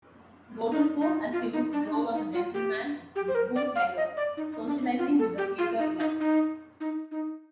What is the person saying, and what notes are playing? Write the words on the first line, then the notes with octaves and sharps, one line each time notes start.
Doto soon assumed the role of a gentleman bootlegger, socializing with the theater elite.
D#4
D#4
F4
D#4
D4
D#4
D4
D#4
F4
G4
G4
C5
A#4
D5
F5
D#5
D5
D#4
D#4
D4
D#4
F4
A4
G4
F4
D#4
D#4
D#4
D#4
D#4